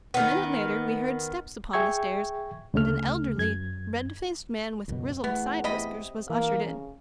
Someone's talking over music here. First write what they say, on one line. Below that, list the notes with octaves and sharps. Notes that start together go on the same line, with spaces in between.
A minute later we heard steps upon the stairs, and an elderly red-faced man with grizzled side-whiskers was ushered in.
D#3 B3
G#4 E5 G5 C#6 G#6
D2 C#3 A3 F6
F#2 G#6
C#2 F#2 B2
E2 A3 B3
C3 D#5 B5
E3 A#3
C#3